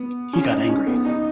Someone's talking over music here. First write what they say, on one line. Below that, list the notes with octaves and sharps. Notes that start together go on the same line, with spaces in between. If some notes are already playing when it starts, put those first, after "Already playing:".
He got angry.
Already playing: B3
C#4
D#4
C#4
B3
D#4